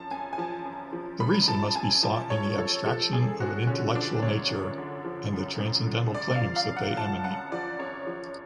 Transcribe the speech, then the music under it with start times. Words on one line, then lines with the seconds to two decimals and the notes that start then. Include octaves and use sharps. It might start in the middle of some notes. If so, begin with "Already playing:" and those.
The reason must be sought in the abstraction of an intellectual nature and the transcendental claims that they emanate.
Already playing: F#2 F3 A5
0.11 F#2 G#5
0.33 G#5
0.38 F3 A5
0.65 F#2
0.93 F3
1.20 F#2 B5
1.48 F3 A5
1.75 F#2 G#5
2.03 F3 A5
2.30 F#2 C#5
2.58 F3 A4
2.86 F3 A4
3.13 F#2 G#4
3.40 F#2 F#4
3.67 D3 C#4
3.94 F3 D4
4.22 F#2 C#5
4.49 F#2
4.78 D3
5.05 F3
5.33 F#2
5.60 F#2
5.87 D3
6.15 F#2 D5
6.36 F5
6.42 F3
6.56 F5
6.69 F#2
6.77 F#5
6.97 F3 A5
7.24 F#2 F#5
7.52 F3 D5
7.79 F#2 C#5
8.07 F3